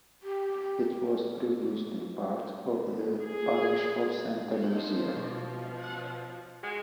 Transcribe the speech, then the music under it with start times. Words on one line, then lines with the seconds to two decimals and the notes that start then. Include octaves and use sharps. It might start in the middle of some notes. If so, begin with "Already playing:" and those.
It was previously part of the parish of Santa Luzia.
0.23 G4
3.25 G#4
4.77 F3 C5
5.16 B2
6.63 G#3 F#4